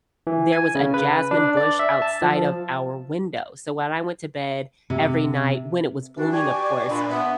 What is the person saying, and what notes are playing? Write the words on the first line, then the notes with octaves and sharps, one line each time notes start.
There was a jasmine bush outside of our window, so when I went to bed every night, when it was blooming of course,
E3
G#5
C#3
B4
D4
D5
E5
A5
F3
C3
E3 D4 F#4
G4 D5 G#5 C#6
A#2 D4 B5
B3 E5